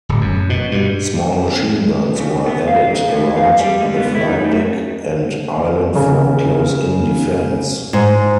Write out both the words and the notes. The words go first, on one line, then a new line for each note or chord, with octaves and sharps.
Small machine guns were added around the flight deck and island for close-in defence.
D1
F#2
B2
G2
C#3
B3
F5
G#2
A2
F5
G3
G#3
B3
E4
D#4
A3
C#3
G#2